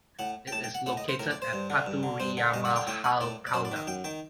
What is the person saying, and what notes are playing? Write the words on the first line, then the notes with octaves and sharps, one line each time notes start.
It is located at Pathuriyamahal, Kalna.
A2 F#5
G5
A2 A5
G5
F#5
A2 F#5
D#5
C5
A2 A#4
D5
C5
G2
D3
G2
D3
G2 C5
D3
G2 D#5
F#5
D3
G5
A2 G5
F#5
A2 D5
D5
F#2 C5
D5
D#3 D#5
F#2 G5
D#3 G5